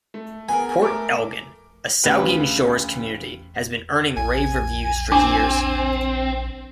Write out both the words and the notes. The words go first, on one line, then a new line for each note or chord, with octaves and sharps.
Port Elgin, a Saugeen Shores community, has been earning rave reviews for years.
A3
B3 G#4 A#4 G#5
A3 A#4 D6
D2 C#3 G4 B4 G5
A#1 G#5
C4 D4 D6